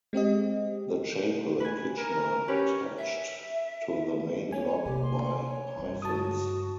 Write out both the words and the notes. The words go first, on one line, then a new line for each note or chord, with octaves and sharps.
The chapel and kitchen are attached to the main block by hyphens.
G#3 C4 G4 D#5
B4 G#5
A#4
C#4 G4 B4
E5
A#3 C#5 G#5
C3 G4
C6
C#5
G2
F#4 A5 D#6